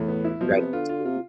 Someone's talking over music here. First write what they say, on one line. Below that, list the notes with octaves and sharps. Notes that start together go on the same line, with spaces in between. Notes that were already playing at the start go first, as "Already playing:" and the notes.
right, tea
Already playing: E2 A2
B3
E4
B2 F3
C3 B3
D3 F4
F4
C3 F4